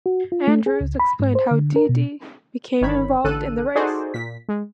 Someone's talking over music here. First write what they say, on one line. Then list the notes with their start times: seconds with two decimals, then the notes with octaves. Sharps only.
Andrews explained how Dee Dee became involved in the race.
0.06 F#4
0.32 F4
0.48 A3
0.66 G#4
0.81 C#2
1.00 B5
1.20 G#2
1.35 C5
1.51 D3
1.76 A#4
1.89 B2
2.81 G1 D#3 C#5 B5
3.24 A1 D3 A4 F#6 D#7
3.75 D#4 F#4 G#4 A4 C5 D5
4.14 A#2 B6
4.49 G#3